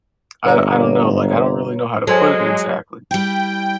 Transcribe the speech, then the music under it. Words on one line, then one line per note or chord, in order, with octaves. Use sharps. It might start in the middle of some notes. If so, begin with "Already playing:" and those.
I don't I don't know, like, I don't really know how to put it exactly.
G1 B4 C#5 A#5
F#3 G#3 A4 C5 G#5
G3 E4 G5